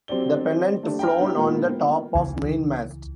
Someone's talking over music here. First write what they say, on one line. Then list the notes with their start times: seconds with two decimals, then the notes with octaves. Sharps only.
The pennant flown on the top of mainmast.
0.08 F#3 C4 G4 D5 G7
0.83 A3 D4 G4
0.99 G5 A#5 F6
1.19 B3 D#4 E4 G4
1.36 A#2 G#3 A#3 B3
2.15 C#2 E3